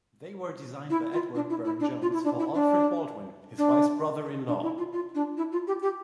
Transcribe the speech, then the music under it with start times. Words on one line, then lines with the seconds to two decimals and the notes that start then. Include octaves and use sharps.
They were designed by Edward Burne-Jones for Alfred Baldwin, his wife's brother-in-law.
0.90 E4
1.12 F4
1.35 D4
1.50 E4
1.64 E4
1.80 D4
2.02 F4
2.13 E4
2.24 D4
2.39 E4
2.54 D4
3.58 D4
4.48 D4
4.62 E4
4.78 F4
4.92 F4
5.14 D4
5.37 E4
5.52 F4
5.67 G4
5.82 G4